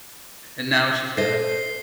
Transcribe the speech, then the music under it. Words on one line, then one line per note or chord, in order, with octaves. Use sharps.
and now she's kind of
A4 C5 D#5 C7 G7